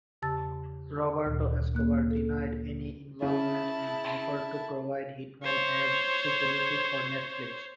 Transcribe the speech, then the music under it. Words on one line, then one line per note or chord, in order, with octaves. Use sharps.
Roberto Escobar denied any involvement and offered to provide hitmen as security for Netflix.
E2 C#3 G4 A5 E6 A6
D2 A#2 D#3
A#3 F#6
A4
C#3 E4 A5
C5 C#5